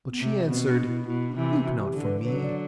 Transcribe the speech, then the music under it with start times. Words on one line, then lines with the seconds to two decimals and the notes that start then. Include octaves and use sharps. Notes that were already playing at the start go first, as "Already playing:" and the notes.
But she answered, 'Weep not for me.
0.11 B3
0.19 C3 C4
0.48 B2 C4
0.68 D4
0.87 E4
1.06 B2 E4
1.30 D4
1.35 C3 E3 E4
1.65 F#4
1.79 F#4
1.84 G4
1.93 D3
2.03 B4
2.23 D3 F#3 B4
2.42 D5